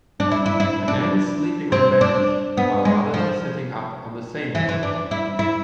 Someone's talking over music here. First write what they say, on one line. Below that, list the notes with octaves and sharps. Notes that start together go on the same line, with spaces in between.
A man is sleeping on a bench while others are sitting up on the same bench.
D4
E4
E4
E4
D4
C4
D4
B3
G#3
F3
E3
E3
D4
E4
E4